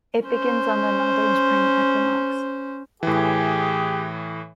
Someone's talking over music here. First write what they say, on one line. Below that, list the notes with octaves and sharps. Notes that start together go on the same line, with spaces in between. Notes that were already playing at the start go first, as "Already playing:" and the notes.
It begins on the northern Spring equinox.
C#4 C5
A2 E3 G4 G#4